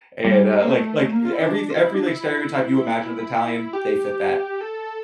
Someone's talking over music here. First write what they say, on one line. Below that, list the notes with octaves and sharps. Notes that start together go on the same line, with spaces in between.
And, uh, like like every every like stereotype you imagine of Italian, they fit that.
G3
A#3
A3
A#3
F4
E4
D4
F4
E4
D4
E4
G4
A4